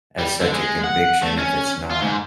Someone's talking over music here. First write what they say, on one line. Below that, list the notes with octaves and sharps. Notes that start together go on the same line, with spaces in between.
as such a conviction if it's not
G3
D3
G#3
F#5
A3
C#4
F4
G#2